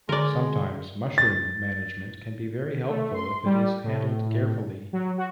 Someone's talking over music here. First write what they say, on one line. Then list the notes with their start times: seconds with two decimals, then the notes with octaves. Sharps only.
Sometimes, mushroom management can be very helpful if it is handled carefully.
0.09 D3 G#3 A#4 D5
1.18 A6
2.89 A3
3.14 C6
3.45 G3
3.84 A2
4.93 F#3
5.18 F#4